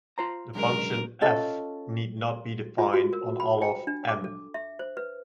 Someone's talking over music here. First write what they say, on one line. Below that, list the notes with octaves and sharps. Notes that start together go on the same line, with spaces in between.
The function "f" need not be defined on all of "M".
F4 C5 A#5
F#2 D3 G#3 A#4
C#4 F4 A4 D#5
F4
F#4
A#4
B5
G5
D4
D6
A4
E5
C5
B4